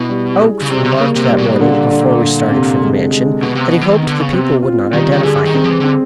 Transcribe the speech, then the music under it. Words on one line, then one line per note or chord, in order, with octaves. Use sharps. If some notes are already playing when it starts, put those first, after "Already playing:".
Oakes remarked that morning, before we started for the Mansion, that he hoped the people would not identify him.
Already playing: B2 E4
G3
G#4
C#3
C3 G3
C3
C#3
A#3
C3
G3
B2
C3
B2
A#2 D3
D3
D3
C3
G#3
G#3
B2 B3
C3
B2
B3
E3
D#3
B3
D3
C#3
C3 C4
F4
D#3 G3
D#3
D3 G#4
D#3
C4
F3
E3
D3 C4